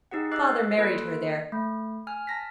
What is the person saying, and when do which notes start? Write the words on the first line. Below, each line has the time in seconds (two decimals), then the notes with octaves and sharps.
Father married her there.
0.11 D#4 G4 G#4 F#5
0.32 D#5 D6 E6 F#6 A6 C7
0.77 A#3 F4 A4 B4 D7
1.52 A3
2.07 G#5 F6
2.27 A5 A#6 B6